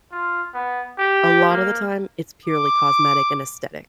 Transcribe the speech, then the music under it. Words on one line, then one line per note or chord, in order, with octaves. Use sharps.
a lotta the time it's purely cosmetic and aesthetic.
F4
B3
G4
A#3
D6